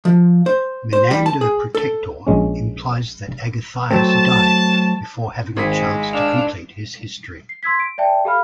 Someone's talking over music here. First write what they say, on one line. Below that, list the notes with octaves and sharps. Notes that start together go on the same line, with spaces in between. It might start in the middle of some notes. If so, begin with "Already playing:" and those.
Menander Protector implies that Agathias died before having a chance to complete his history.
F3
C5
C5
G3
A5
G#4
A4
A#1 G#3 C#4
F#3 A3 C4 A5
G#1 G#3 C4 B6
D4 F5 E6 F6
C7
C6 E6 G#6 B6
D7
D5 E5 G5 A5
G4 A4 F5 B5 F6